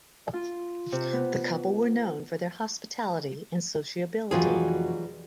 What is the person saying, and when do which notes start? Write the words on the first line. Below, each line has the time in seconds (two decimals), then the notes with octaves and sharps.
The couple were known for their hospitality and sociability.
0.34 F4
0.92 C3
1.13 B3
4.31 F1 E3 F#3 G3 F4 F#4 G#4 G5